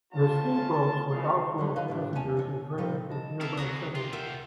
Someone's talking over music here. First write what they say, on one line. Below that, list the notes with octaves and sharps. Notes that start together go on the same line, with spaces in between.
The steam boats would offload passengers and trade with nearby settlements.
A1 C#4 F4 A5
B1 C#3 F#3 F5
D3 F#3 G3
B4 C#5 D#5 F5
A2 D4 G4
E2 C#4 G#5 A5
B2 C#5
A#2 F3 G3 C4 A4
E4 D#5 A5
C4 E4 A4 A#4 F5 A5
C#2 F#2 C3 F#3 F#4 A#5 D#6 F#6
F4 G4 C6
A#4 E5 F#5 G5